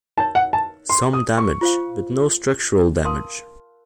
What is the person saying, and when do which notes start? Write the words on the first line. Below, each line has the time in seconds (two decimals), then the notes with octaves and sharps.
Some damage, but no structural damage.
0.18 D#4 A#4 C#5 A5
0.35 F#5
0.53 A5
0.89 C6
1.13 D#6
1.38 C#6
1.61 F4 C5 F5
3.05 A#4 F5 A5 C6 D#6